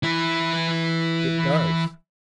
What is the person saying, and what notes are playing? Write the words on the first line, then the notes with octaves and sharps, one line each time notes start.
"It does."
E3 E4